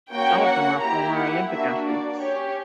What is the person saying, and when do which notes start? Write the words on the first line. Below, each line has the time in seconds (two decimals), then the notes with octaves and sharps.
Some of them are former Olympic athletes.
0.12 A#3 C#4 F#4 G5
0.47 F#5
0.82 A#3 E4 G4 A#5
1.17 F#5
1.52 A#3 D4 F#4 E5
1.87 D5
2.21 C#4 G4 C#5